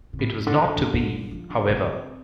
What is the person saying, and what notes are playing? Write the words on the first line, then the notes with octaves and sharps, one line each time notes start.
It was not to be, however.
C3
A2
D3
G3
F3
D3
C3
C3